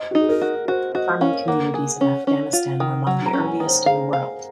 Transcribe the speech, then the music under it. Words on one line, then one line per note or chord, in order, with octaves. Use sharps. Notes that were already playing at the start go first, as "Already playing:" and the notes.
Farming communities in Afghanistan were among the earliest in the world.
Already playing: D#5
F#4
D#4 G#4
A#4
F#4
F#4 C5
F#4 D#5
C#4 F5
A#3 F#5
G#4
C#4
C#4
F4
D#3
F#3 F#5
A#5
C#4
A#5
G#5
D#3
C5
G#4 F5
F5